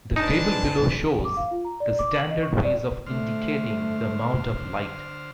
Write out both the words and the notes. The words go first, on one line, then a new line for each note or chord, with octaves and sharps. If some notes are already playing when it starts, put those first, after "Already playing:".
The table below shows the standard ways of indicating the amount of light.
G#3 C4 D4 D#4 B4 A5
D6
F5
F4
A#5
D5
D6
F#7
D#5
C#6
D5
D3 A3 C5 F6